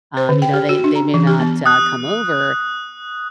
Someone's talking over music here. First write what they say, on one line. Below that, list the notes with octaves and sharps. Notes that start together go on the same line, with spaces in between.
um, you know, they they may not, uh, come over,
C5
D3
G5
G4
F#4
D4
A#5
E3
G4
B3
D#6 F#6